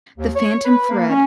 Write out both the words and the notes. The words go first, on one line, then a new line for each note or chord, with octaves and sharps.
The Phantom Thread.
D#2
C#5
B4
A#3
C#4